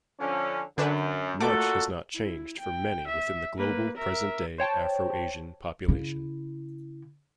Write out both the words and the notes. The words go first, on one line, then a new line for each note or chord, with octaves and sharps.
Much has not changed for many within the global, present-day, Afro-Asian population.
D3 F3 C#4
F#2 D3 D4 B4
A#2 A3 F#4 A4 D6
E4
G5
E5
A#3 B4
A#4 E5
C5 C#5 G5 A5
C#3 E4